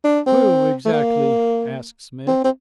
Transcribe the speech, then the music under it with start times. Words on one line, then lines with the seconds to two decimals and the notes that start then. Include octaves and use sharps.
"Who, exactly?" asked Smith.
0.04 D4
0.27 C4
0.85 A3
0.93 A#3
2.27 C4
2.44 C4